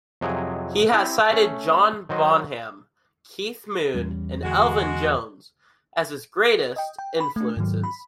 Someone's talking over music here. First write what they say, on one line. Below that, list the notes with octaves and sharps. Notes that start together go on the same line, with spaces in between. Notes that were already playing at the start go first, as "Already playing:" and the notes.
He has cited John Bonham, Keith Moon, and Elvin Jones as his greatest influences.
F2 C3 F#3 G#4 D#5 A#5
C4 E4 G4
A3 C#4
D#3 F#3 C5 D#5
E2 G3 C#4
E2 D3 G#3 F#4
D#5 G5
G5
B5
A3 D4
G#2 D#3 F#3
B5